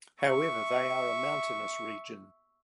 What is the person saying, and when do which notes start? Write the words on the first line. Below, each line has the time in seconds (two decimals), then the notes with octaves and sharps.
However, they are a mountainous region.
0.23 E5 C#6